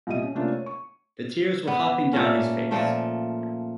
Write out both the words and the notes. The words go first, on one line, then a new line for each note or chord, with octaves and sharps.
The tears were hopping down his face.
C2 A#2 G4 D#5 D#7
C#4
C3 A3 A#3 C#4 D4 F4
C#5
C#6
B3
A#2 A3 C#4
A#2 F3 A3